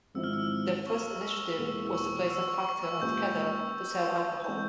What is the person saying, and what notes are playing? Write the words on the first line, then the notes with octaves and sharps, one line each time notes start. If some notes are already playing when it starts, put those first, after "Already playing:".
Their first initiative was to place a factor at Keta to sell alcohol.
G#1 G#2 F3 C4 E4 E6
F6
E6
C#6
E6
E1 E2 E3 A#3 E6
E6
C#6
E6
C#6
C#6
E6
A#2 G#3 C#4 G4 G6
E3 G#3 C4 G6